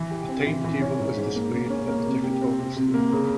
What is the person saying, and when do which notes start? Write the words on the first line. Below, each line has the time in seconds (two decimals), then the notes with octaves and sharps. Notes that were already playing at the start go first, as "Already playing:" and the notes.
A timetable is displayed at the ticket office there.
Already playing: E3
0.11 G4
0.28 C4
0.46 E3
0.64 E3
0.82 C#4
0.99 G#2
1.17 G#2
1.35 A#3
1.53 C#3
1.70 C#4
1.88 A#3
2.06 C3
2.24 G4
2.42 C4
2.59 C3
2.76 C3
2.94 A#3
3.12 C#3